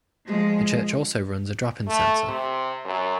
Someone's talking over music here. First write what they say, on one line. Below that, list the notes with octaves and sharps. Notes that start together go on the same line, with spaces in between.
The church also runs a drop-in centre.
F3 G#3
A3
C3
F#2